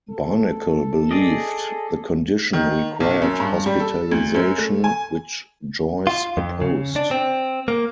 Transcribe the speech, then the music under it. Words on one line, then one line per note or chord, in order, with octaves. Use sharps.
Barnacle believed the condition required hospitalisation, which Joyce opposed.
A4
G#4 D5 D#5
D#3
B1
F#2
G2
G3
A4
D2
F#2
A3
G#5
F4
F2
C#3
D4
C4
A#3